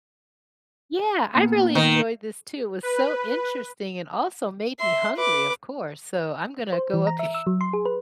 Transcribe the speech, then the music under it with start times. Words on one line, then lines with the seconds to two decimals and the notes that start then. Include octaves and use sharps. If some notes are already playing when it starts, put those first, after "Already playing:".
Yeah, I really enjoyed this too, it was so interesting and also made me hungry, of course, so, I'm gonna go up he
1.35 A#2 A#3 B3
1.75 D#3
2.83 B4
4.80 E5 C6
5.16 B4 D6
6.73 C5
6.94 E3
7.07 A#5
7.19 E5
7.35 E6
7.47 F#3
7.61 C6
7.73 G#4
7.85 B4